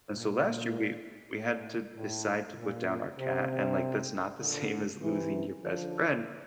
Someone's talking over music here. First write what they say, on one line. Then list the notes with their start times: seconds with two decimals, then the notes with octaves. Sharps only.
and so last year, we we had to decide to put down our cat, and, like, that's not the same as losing your best friend,
0.13 A#2
1.34 A2
1.95 A2
2.57 A#2
3.18 C3
4.40 A#2 D3
5.01 C3 E3
5.62 D3 F3